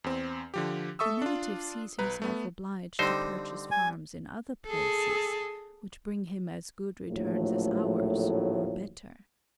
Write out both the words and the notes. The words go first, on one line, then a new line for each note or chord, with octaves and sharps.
The native sees himself obliged to purchase farms in other places, which bring him as good returns as ours, or better.
E2 C4
D3 F3 G4
A4 E5 C#6 D#6 E6
D4 F4
B1 B4 A#5
A3 B3
D3 G3 C4 D#4 C5
G#5
G#4 A4
A#1 D#2 A2 F3 F#3 A3